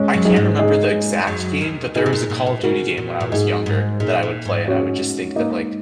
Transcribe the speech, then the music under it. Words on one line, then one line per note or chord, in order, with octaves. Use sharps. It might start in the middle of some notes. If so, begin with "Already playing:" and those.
I can't remember the exact game, but there was a Call of Duty game when I was younger that I would play, and I would just think that, like,
Already playing: G#3 C#4
F#2 F#3
D#4 G#4
G#2 G#3
D#4 G#4
F#2 F#3
D#2 D#3
C#3 D#4 G#4
C#3
A#2
A#2
A#2
C#3 F#4 A#4
A#2
A#2
G#2 D#4 G#4
G#2
A#2 D#4 G#4
A#2
G#2
C#4 F#4
A#3 D#4